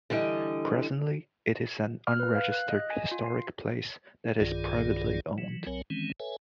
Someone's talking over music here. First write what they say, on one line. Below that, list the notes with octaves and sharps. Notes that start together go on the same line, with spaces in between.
Presently, it is an unregistered historic place that is privately owned.
D3 E3 G3 D#5
F6
B4
F5
F#6
D#5
G#5
F4
C7
B1 G2 D#3 F4 G#4 D5
E3 F#3
B1 F#3 C4 A#4 C#5 G#5
D#3 E3 G#3 C4 C#4
A4 B4 C#5 E5 G#5